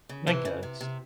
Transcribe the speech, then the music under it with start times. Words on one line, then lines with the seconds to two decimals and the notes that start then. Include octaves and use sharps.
I guess.
0.09 C#3
0.27 C3 E3
0.45 C#3
0.63 C3
0.81 C3